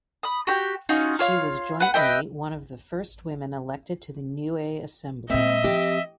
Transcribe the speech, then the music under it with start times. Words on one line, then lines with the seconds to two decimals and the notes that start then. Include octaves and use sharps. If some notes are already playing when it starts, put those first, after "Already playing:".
She was jointly one of the first women elected to the Niue Assembly.
0.23 B5 D#6
0.47 F#4 G4
0.89 C#4 D#4 F4 F#4
1.19 F4 C#5 F5
1.80 B4 F#5
1.94 B4 D#5 E5 G5
5.30 A#2 G#3 C4 D#5 E5
5.64 F3 C4 G4